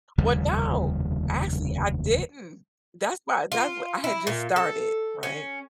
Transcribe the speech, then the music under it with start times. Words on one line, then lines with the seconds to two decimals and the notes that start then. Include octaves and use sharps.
Well, no. Actually, I didn't. That's why that's I had just started, right?
0.18 F1 D#2 C#3 G3
3.52 F4
4.04 E4
4.27 A#2
4.56 A4
5.23 C#4